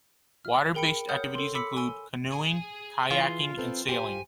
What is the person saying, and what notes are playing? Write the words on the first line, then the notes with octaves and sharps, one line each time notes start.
Water based activities include canoeing, kayaking and sailing.
F6
G#4 A#4 G5 B5 C#7 D7
C#5 F#5 D#6 F6 G6
A4 C6
B5 D6 E6 B6 C#7
G#5 E6 G7
G#4 G#5
E3 F4
C4 A4 B4
G4 C5 G#5